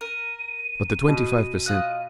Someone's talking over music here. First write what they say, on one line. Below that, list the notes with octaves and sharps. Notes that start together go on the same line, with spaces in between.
But the twenty-five per cent.
A#4 D#7
B2
F4 D#5 F#6